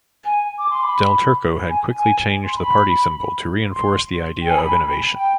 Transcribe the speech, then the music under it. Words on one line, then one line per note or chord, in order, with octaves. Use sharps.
Del Turco had quickly changed the party symbol to reinforce the idea of innovation.
G#5
D6
C6
B5
G#5
G#5
C6
B5
C6
G5
G#5
B5
G5